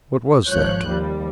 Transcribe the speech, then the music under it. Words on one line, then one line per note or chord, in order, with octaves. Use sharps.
What was that?
G#1 F3 C#5 F#6 G6
D#2 F3 G3